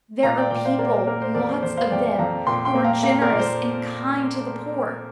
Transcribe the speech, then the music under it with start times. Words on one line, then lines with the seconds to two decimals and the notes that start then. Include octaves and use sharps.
There are people, lots of them, who are generous and kind to the poor.
0.23 A#2 F5 A#5
0.37 D5 G5
0.51 A#2 D5 G5
0.65 C5 F5
0.79 A#3 A#4 D5
0.94 A#4
1.07 A#3 A#4
1.22 C5
1.34 F2 A#4 D5
1.49 C5
1.63 F2 C5
1.77 C5 F5
1.90 F2 D5 G5
2.19 F2 F5 A#5
2.46 A#2 G5 C6
2.65 G5 C6
2.75 A#3
2.84 F5 A#5
3.03 A#3 F5 A#5
3.21 A#4 D5
3.31 A#2
3.39 C5